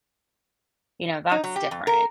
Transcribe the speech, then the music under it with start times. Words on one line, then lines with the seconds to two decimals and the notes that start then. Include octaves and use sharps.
You know, that's different.
1.31 D#4
1.44 F#3
1.56 G4
1.71 F2
1.87 A#4